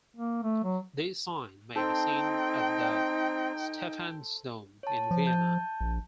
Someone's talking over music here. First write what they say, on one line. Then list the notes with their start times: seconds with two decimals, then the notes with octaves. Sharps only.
This sign may be seen at the Stephansdom in Vienna.
0.16 A#3
0.43 A3
0.64 F#3
1.76 C4 D#4 A4 C5 G5
4.83 C#5 A5
5.11 F3
5.26 A5 G6
5.81 A#1